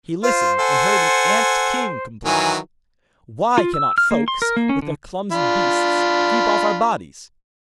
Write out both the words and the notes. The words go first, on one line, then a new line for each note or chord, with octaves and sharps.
He listened, and heard an ant-king complain: 'Why cannot folks, with their clumsy beasts, keep off our bodies?
F4 C5
A4 F#5 G#5
D#3 E3 F#3 G#5
F4
E6
F6
A#3
C6
A#4
A#3
C#4
D3
D4 F4 B5